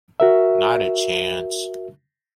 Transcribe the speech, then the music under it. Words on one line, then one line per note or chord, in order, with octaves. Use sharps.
Not a chance.
F#4 A#4 E5